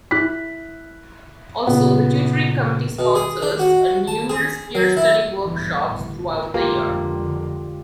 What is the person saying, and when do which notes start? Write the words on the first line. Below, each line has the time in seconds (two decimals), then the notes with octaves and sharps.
Also, The Tutoring Committee sponsors numerous Peer Study Workshops throughout the year.
0.11 E4 F#6 B6
1.67 A#2 C#3 B3
2.99 B2
3.15 G#4
3.42 D4
3.59 F#4
4.08 A5
4.29 G#4
4.75 F#3
4.97 E4
5.42 G1 E3
5.83 G1 E2 A2
6.54 F2 D3 G#3 A#3 F4 G4